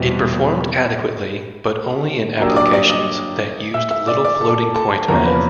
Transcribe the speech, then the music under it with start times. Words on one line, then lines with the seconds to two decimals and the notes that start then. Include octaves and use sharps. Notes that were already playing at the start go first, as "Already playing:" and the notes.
It performed adequately, but only in applications that used little floating point math.
Already playing: E2 B2 G3 C4 E4 B4
2.39 F#3 A#3 D4 G4 A#4 E6
2.50 D#6
2.56 D5 D6
2.66 D#6
2.73 D5 D6
2.90 D#5 D#6
3.74 E5 E6
3.90 E5 E6
4.07 D5 D6
4.25 D5 D6
4.41 A4 A5
4.74 A4 A5
5.08 E2 C3 F3 A#3 C#4 A#4 A#5
5.25 B4 B5